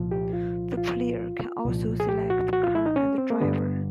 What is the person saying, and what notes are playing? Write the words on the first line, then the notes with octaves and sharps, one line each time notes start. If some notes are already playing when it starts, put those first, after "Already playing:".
The player can also select car and driver.
Already playing: C2 A#2 F3
G4
F4
F4
C2 A#2 F3
G#4
G4
F#4
F#4
F4
E4
D#4
C#4
C4
A#3
G2 D3 G3 B3